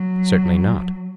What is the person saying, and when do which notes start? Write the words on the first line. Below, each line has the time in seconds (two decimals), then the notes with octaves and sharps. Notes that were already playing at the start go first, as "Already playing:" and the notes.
Certainly not.
Already playing: F#3